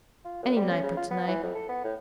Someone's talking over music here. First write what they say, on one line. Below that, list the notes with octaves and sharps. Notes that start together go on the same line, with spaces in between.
Any night but to-night.
F4
F#2
G3
C#4
C#3
F4
B3
E3
F2
A4
B3
A2